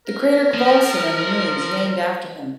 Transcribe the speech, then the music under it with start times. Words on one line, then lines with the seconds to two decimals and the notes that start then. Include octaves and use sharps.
The crater Khvolson on the Moon is named after him.
0.07 A#4
0.54 F3